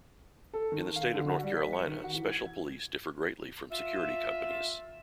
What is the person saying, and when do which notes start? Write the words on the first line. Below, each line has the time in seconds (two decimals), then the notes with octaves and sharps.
In the state of North Carolina, special police differ greatly from security companies.
0.54 A4
0.72 D#3
0.96 F5
1.13 D3
1.29 F#4
1.43 G3
1.57 B6
1.73 C#7
1.87 D#3
2.04 F#4
2.15 E3
2.30 G#6
3.71 F4 E5